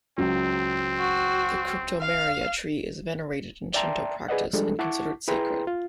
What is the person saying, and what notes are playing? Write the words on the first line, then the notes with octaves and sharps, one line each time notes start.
The Cryptomeria tree is venerated in Shinto practice, and considered sacred.
C#2 C#3 F#3 C4
F#4
F5
D5 E5 G5 A5 A#5 C6
G#4 B4 D5 D#5 F#5
F3 G3 G#3 D4 A4
E4 F#5 A5 C#6 D6
E4 G#4 B4 G5 A#5 C6
F4